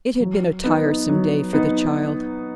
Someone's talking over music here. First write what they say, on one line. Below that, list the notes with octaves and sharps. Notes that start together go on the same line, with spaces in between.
It had been a tiresome day for the child.
F#3
B3 D#4
F#3
B3 D#4